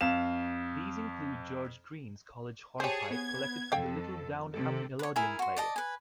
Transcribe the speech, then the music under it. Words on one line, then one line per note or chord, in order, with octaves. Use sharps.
These include "George Green's College Hornpipe", collected from the Little Downham Melodeon player.
F2 F5 E7
G4 G#4 C5 C#5 G#5 A5
B3 G#6
F2 A4 F5 G5
C3 A4
B4 C#5
E4 G#4 A#4 G#5
F#4 C6
D5 D#5 A5
B4 G#5